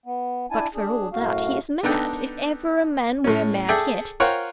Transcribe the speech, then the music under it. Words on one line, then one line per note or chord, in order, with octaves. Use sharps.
But, for all that, he is mad, if ever a man were mad yet.
B3
D4 E4 G#5 A5
D4 G#4
F#2 A2 F#4 F5
B3 D4 D#4 A4 G5
A2 C#4
G#4 A4 D5 E5 G5
F4 A#4 C5 C#5 F#5 G5